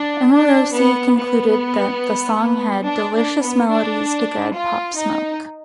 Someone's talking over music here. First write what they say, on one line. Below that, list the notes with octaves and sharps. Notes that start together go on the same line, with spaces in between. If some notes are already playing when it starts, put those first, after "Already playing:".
Amorosi concluded that the song had "delicious melodies to guide Pop Smoke".
Already playing: D4
D4
B3
B3
D4
D4
B3
D4
F4
D#4